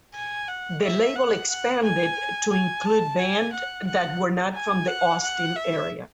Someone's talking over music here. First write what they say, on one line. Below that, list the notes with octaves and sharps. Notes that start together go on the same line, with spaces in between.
The label expanded to include band that were not from the Austin area.
G#5
F#5
E5
F#5
F#5
G#5
G#5
A5
G#5
F#5
F#5
G#5
F#5
F#5
E5